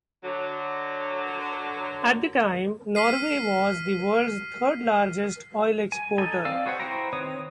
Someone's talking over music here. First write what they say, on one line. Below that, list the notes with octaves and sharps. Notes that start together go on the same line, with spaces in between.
At the time Norway was the world's third largest oil exporter.
D3 F#3
F6 B6 C7 D#7
G#5
D#4 A4 G#5
C4 D5 F5 E6
F#4 G#4 B4 C5 F#5
E4 F#4 C5 G5 A#5
D#3 C4 B4 C#5 D#6